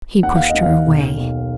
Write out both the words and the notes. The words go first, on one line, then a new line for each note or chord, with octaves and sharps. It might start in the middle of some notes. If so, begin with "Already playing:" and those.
He pushed her away.
D#2 F#5
F5
D#2 D#5
F5
B1
B1